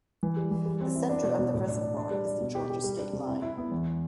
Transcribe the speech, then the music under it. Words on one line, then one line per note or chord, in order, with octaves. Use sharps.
The center of the reservoir is the Georgia state line.
E3
G3
E3
G3
C4
E4
D4
B2
B2
A2
D4
D4
D4
G3
D4
B2
G4
G4
G3
D4
C3
E4
E4
B3
E2